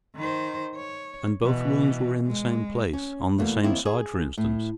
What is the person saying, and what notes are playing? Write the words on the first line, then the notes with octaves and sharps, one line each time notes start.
"And both wounds were in the same place--on the same side, for instance?"
D#3 C5
C#5
B2 E3
G#3
C#4
E2 B2 A3 A#3
D#2 D#3 C4 E4
G#4
A2